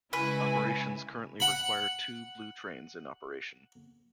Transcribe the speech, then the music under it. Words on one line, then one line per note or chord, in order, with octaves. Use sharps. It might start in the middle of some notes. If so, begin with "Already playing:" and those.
Operations currently require two Blue Trains in operation.
C#3 G#3 E4 B4 G#5
F#5 B5